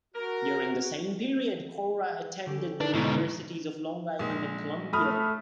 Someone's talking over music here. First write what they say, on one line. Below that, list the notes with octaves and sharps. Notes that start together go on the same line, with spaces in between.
During the same period, Kaura attended the universities of Long Island and Columbia.
F#4 A#4
D3 C#4 G4
D4
G#2 B2 G#3 C#5 E6
A#1 G#3
A3 B5 D#6 F6